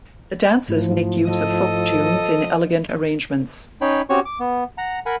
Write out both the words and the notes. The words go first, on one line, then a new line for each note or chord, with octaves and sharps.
The dances make use of folk tunes in elegant arrangements.
G#2 F3 A3 E4
A4 D#5
C#4 D#4 C#5 G5 B5
C4 C#4 F#4 G4 C#5 C#6
D6
B3
F#5 A#5
A#4 F#5 G#5 B5